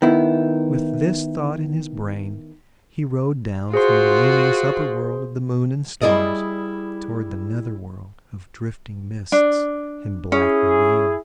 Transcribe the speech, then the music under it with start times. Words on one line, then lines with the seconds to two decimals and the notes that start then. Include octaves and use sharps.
With this thought in his brain, he rode down from the luminous upper world of the moon and stars toward the nether world of drifting mists and black ravines.
0.02 D#3 B3 E4
3.74 F4 F#4 G#4 C5 C6
6.01 G3 E4 G#4 D5 D#5
9.32 D4
10.32 C#4 E4 G#4